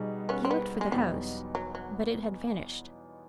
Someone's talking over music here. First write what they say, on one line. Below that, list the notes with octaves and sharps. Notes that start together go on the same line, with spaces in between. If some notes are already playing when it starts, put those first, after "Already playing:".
He looked for the house, but it had vanished.
Already playing: B2 G3 B3 D#4 G#4
B3 C#4
C4
B3
G#3
E2 B2 F#3 G3 B3 D#4
F#3
F#3